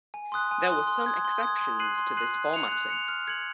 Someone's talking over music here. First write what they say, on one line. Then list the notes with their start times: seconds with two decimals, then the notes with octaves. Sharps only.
There were some exceptions to this formatting.
0.14 G#5
0.32 C6 D#6 F#6
0.51 G#5
0.69 C6 D#6 F#6
0.87 C6
1.06 D#6 G#6
1.25 C6
1.43 D#6 G#6
1.61 C6
1.79 F#6 C7 D#7 F#7
1.98 C6
2.17 F#6 C7 D#7 F#7
2.35 F#6
2.54 C#7 F7
2.72 F#6
2.90 C#7 F7
3.08 F6
3.27 G#6 C#7 F#7